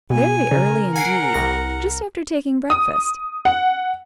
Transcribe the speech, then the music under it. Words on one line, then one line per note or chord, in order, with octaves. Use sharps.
Very early, indeed--just after taking breakfast.
B2 G#5
C#3 A#4
F#5 G#5 C7 D7
C2 A#6
D#6
F#5